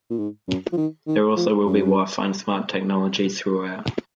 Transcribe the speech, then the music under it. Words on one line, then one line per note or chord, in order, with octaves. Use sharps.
There also will be Wi-Fi and smart technology throughout.
A#2
G#2
F#2
F3
D#3
D#3
F3
F#2